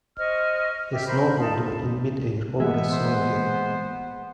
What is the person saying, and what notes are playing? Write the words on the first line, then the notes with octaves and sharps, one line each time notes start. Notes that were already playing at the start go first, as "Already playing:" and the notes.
A snowboarder in midair over a snow hill.
C5 D#5 C#6 F6
G4 E5
A#4 C5 B5
D#4 F4 A5
E3 G#3 A#3 B3 E5
C5